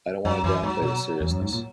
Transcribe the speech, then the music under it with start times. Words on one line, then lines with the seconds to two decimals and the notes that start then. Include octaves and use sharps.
I don't want to downplay the seriousness.
0.25 F#2 F#3
0.44 F#2 E3
0.63 G#2 F#3
0.82 B2 F#3
1.21 E2
1.31 F#2
1.42 G#2
1.53 A#2